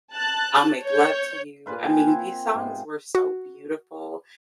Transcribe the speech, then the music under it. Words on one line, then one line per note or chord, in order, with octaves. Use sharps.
I'll Make Love To You. I mean, these songs were so beautiful,
A5 F#6
C#5 G6
A#2 F4 B4 F5
G5 G#5
C4 F#5
G#2 C3 B3 F4
F#4